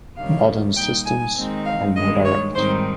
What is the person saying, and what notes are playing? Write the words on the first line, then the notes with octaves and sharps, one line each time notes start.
Modern systems are more direct.
C3 D#3 G3 C#4 F5
A#2 G3 A#3 D#4 G5
G#5
D#3 G#3 C4 D#4
F5
G2 D#3 G#3 D#5
C#5
G#2 D#3 G3 C4 D#4 C5